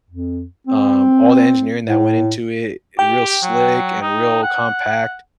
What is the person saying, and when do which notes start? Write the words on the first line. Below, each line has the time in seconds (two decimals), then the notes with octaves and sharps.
um, all the engineering that went into it, i real slick and real compact.
0.11 F2
0.67 C4
1.85 A2
2.99 G4 G5
3.43 F#3
4.02 D#4
4.43 F#5